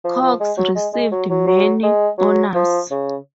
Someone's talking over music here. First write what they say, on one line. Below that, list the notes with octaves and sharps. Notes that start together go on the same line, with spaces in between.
Cox received many honours.
F3
F3
G#3
F#3
G#3
G#3
F#3
F#3
F#3
G#3
F#3
F3
C#3